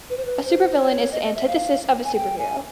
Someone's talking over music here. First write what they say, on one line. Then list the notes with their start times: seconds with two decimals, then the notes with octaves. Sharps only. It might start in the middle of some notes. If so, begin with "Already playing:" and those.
A supervillain is the antithesis of a superhero.
0.10 B4
0.17 C5
0.25 B4
0.44 C5
0.78 C#5
1.12 D#5
1.24 D#5
1.35 E5
1.47 F5
2.05 G#5
2.15 G5
2.38 G#5